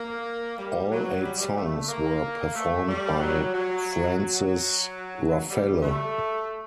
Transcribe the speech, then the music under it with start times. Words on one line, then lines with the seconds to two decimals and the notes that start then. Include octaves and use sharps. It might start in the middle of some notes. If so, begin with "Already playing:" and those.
All eight songs were performed by Frances Ruffelle.
Already playing: A#3
0.58 G3
0.91 F#3
1.23 G3
1.57 A3
1.89 A#3
2.54 A3
2.88 G3
3.20 F#3
3.54 F#3
4.19 F#3
5.50 G3
5.83 A3